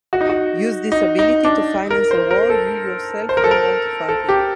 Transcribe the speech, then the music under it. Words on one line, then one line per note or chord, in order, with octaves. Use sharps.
Use this ability to finance a war you yourself don't want to fight in.
F#4
D#4
F#4
D#4
D#4
D4
A#4
C5
A#4
A4
C5
A#4
A4
A#4
A4
G4